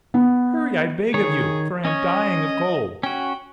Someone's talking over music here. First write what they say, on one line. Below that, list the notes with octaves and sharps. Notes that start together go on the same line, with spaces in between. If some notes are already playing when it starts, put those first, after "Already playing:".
"Hurry, I beg of you, for I am dying of cold."
B3
D#3 G#4 C#5 C#6
C#4 C#5 D#5
C#4 F#4 G5